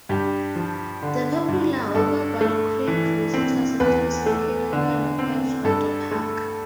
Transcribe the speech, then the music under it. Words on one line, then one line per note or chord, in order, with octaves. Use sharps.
The popular Walkabout Creek Visitor Centre is located at the edge of the park.
G2 G4
F3
D3
G2
G2 A4
A3
E3
C4
E2 B4
A3
D3
C4
G2 A4
A3